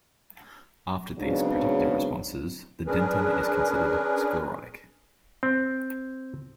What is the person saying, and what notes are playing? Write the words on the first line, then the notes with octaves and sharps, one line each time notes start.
After these protective responses, the dentin is considered sclerotic.
G#2 C#3 F#3 B3 C4 D4
C#4 D4 G#4 A#4 B4
C4